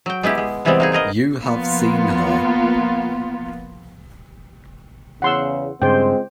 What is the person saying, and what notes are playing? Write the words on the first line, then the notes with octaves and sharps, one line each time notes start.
You have seen her.
F#3 G5
G#3 B3 E4 G4
G#3
C3 E3 G3 G#3 B3 C4
A#3 D#4 G#4
B3 G#4 A#4 D#5
F3 A#3 B3 F4
E2 C#3 F#5 C6 E6
C#2 G2 C#3 G#3 C4 C5 G5